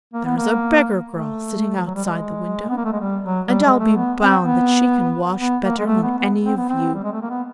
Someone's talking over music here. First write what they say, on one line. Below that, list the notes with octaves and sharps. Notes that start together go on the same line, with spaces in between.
There is a beggar-girl sitting outside the window, and I'll be bound that she can wash better than any of you!
A#3
B3
A#3
A3
F3
F#3
G3
G#3
B3
A#3
A3
G#3
G3
F#3
G3
G#3
A3
B3
C4
B3
B3
A#3
G#3
A3
B3
B3
C4
B3
C4
G3
G#3
A3
A#3
B3